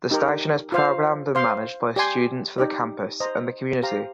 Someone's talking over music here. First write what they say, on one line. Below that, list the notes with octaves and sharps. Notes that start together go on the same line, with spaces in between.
The station is programmed and managed by students for the campus and the community.
D#4 G4 A#4
F4 C5 F5
C5 F5 C6
G4 D5 G#5 C6
D#4 G4 D5
C5 D#5 A#5
G4 C5 F5 A#5